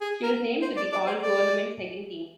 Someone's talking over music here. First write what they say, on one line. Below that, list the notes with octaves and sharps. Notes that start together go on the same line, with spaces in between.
She was named to the All-Tournament second team.
G#4
A#4
C5
D5
D5
C5
D5